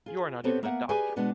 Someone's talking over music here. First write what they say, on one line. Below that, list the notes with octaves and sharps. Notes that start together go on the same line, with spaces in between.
You are not even a doctor!
F4 G#4
B3 C4 G4 A4 B4 C#5
A#3 B3 A#4 E5 F#5
G4 G#4 B4 D5 G#5
B2 G#3 B3 D4 F#4 B4